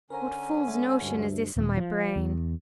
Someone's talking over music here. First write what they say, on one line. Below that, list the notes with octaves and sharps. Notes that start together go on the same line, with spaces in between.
What fool's notion is this in my brain?
D3 C#4 A#4 C5 G#5 A#5
G#3 A4 E5
D2 G2
D#1
F3
E2